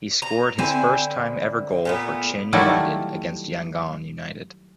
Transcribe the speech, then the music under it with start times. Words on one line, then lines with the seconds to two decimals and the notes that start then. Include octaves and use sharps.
He scored his first time ever goal for Chin United against Yangon United.
0.22 A#5
0.58 D3 C4 E4 G#5
1.85 A#2 A3 B3
2.53 D#3 F#3 G3 A3 E4 F4